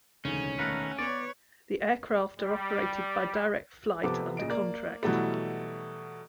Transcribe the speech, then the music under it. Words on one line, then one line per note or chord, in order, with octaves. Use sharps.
The aircraft are operated by Directflight under contract.
E1 D2 C#3 C#4 D#4
D#3 A3 A#4 B4 F#5
B3 B4 C#5 D5
G3
C3 F3 B3 A4 D6
A#2 C#3 D#5 D7
A#3 D5
B2 E3 F#3 G3 A3